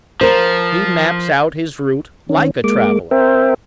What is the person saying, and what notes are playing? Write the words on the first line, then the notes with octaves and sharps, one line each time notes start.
He maps out his route like a traveller.
F3 A#4 C5
D#3 C#4
G#3 A#3 D6
C4 A#4 C5 E5 G5